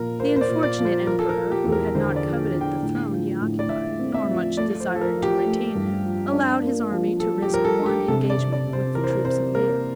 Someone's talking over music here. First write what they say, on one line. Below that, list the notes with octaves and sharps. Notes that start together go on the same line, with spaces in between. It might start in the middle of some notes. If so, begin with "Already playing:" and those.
The unfortunate emperor, who had not coveted the throne he occupied, nor much desired to retain it, allowed his army to risk one engagement with the troops of Leo.
Already playing: A#2 F3 A#4
A#3 C5
C5
D5
A#2
D5
F3
C5
F3 A#4
A4
A#4
F3
G4
E2
A#4
D3 C5
D5
F3
D3
G5
A2
F3
A2
D5
A2 E5
C4
E5
F3
A3 D5
C5
F3
A4
A#4
F3
G4
A3
G2
F3
D4
A#3
F3
F3 A4
G4
F3 A#4
A4
D4
G4
C3 A4
D5
C3
D5
C3
C5
E3 A#4
C5
A#4
C3 C5
A#3 A#4